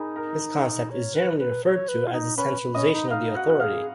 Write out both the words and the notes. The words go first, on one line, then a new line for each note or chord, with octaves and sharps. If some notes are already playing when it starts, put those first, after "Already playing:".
This concept is generally referred to as the centralisation of the authority.
Already playing: D#4 G#4 A#4 G#5 A#5 B5
A#4 A#5
C#5
B4
B4
C#5
B4
F4
D#4
C#4 B4 B5
C#4 D#5 D#6
D#4
D#4 F5 F6
F#4 F#5 F#6
F#6
G#4 F5 F6